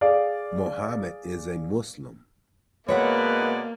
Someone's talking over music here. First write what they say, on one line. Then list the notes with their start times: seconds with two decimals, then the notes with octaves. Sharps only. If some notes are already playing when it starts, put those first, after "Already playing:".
Mohammed is a Muslim.
0.01 G#4 D5 F5
2.88 B2 G#3 A#3 B4 C#5 D5 E5 F#5